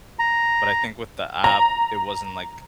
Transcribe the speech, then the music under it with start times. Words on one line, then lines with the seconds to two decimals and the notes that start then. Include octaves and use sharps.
but I think with the app, it wasn't, like,
0.19 A#5
1.44 A#5